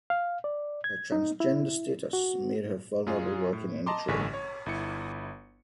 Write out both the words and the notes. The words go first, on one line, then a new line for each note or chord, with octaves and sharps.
Her transgender status made her vulnerable working in the trade.
F5
D5
G#6
D#4
E4
F#4
F#2 F4 G#4
A2
D#5 A5 A#5 C6 D6
A1 G2 D3 G#5 C#6 B6
C#5
G1 E4 C#7